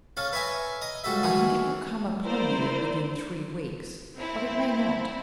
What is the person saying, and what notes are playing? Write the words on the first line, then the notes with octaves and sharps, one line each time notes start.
I think it will come upon you within three weeks, but it may not.
C#4 A4 F5
B4 C#5 E5 G#5 A#5
D#5 A#5
C#2 G3 F#4 A4 E5
D#3 E3 F#4 G#4
E4 A#4 C5 D5
C4 E4